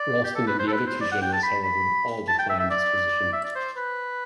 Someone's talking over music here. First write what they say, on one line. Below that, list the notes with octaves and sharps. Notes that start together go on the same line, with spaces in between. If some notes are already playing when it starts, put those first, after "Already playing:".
Ralston and the two other generals, however, all declined this position.
Already playing: D5
G4
A4
B4
C5
A4
B4
C5
D5
F#5
G5
A5
B5
B5
A5
G5
E5
E5
D5
E5
D5
C5
B4